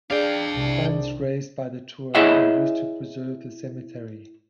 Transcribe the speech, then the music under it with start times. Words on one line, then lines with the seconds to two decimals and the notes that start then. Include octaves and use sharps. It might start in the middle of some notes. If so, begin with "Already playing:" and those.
Funds raised by the tour are used to preserve the cemetery.
0.10 D4 G#4 D5 F5 G5
0.56 C2
2.15 E4 G#4 C#5 D#5 E5 F#5